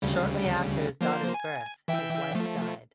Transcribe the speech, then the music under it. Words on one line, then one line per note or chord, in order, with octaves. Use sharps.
Shortly after his daughter's birth, his wife died.
D2 C#3 G3
F3 A#3 C5
G#5
E3 E5 G5
F3 A3